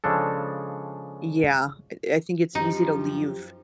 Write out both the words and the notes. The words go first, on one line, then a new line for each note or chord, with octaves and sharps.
Yeah, eh I think it's easy to leave
C#3 F3 G#3 D4 A4
F#2 F3 D#4 G4